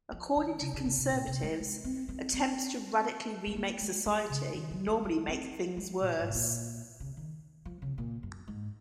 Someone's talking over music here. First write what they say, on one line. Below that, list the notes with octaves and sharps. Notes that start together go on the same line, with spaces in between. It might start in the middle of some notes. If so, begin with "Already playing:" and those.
According to conservatives, attempts to radically remake society normally make things worse.
F3
D#3
C#3
C#3
C#3
C3
A#2
C3
G#3
G#3
C4
C4
C4
G#3
A#3
G#3
G#3
C#3
D#3
F3
F#3
G#3
C4
G#3
A#2
G#2
C3
A#2
C#3
D#3
F3
C#3
A#2
F#2
G#2